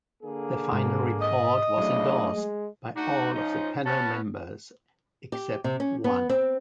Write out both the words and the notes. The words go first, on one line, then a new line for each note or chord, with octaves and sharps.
The final report was endorsed by all of the panel members except one.
D3 A#3 G#4
G#2
D#5
C#3 F#3 A3 D4 E4
G#3
A3 D4 D#4 F#4
F3 C#4 D#5
B3 C#4 A5
G4
C3
C#4
B3
C4